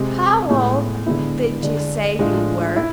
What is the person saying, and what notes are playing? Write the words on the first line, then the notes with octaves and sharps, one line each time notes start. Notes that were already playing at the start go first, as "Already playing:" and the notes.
How old did you say you were?'
Already playing: C3 G#3 C4
A2 G#3 B3 E4
D3 G#3 B3 E4
D3 G#3 D4
A2 G#3 D4 F4
E4